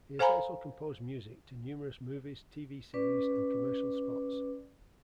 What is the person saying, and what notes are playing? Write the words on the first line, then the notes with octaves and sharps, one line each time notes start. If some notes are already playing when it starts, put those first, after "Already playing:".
He has also composed music to numerous movies, tv-series and commercial spots.
A4 C5 F5 G#5 A#5 B5
C#4 B4 D5 D6